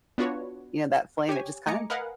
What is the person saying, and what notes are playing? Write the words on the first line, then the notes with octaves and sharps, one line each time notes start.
you know, that flame, it just kind of
B3 D4 F4 F#4 B4 C#5
G4 C#5 G#5
A3 D#5 G#5 A#5 D6 C#7
A#4 B4 D#5 F5 F#5 G#5